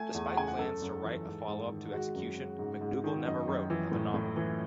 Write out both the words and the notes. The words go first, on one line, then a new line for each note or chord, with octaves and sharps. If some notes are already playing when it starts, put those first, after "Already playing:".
Despite plans to write a followup to "Execution", McDougall never wrote another novel.
Already playing: A3 G#5
E2
F#5
C#3 G#5
F#5
F#2 A4
F#2
E3
G#2
G#2
D#3
G#3 F#4
F#2
C#3
G#2
G#2
D#3
F#2 D#5
F#2
E3
A2
A2
E3